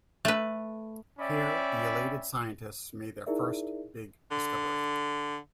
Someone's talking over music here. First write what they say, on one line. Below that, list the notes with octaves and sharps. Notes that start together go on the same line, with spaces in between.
Here the elated scientists made their first big discovery.
A3 B4
C#4 D5 E5 G5 B5
D#4 E4 G#4 A#4 D5 E5
D3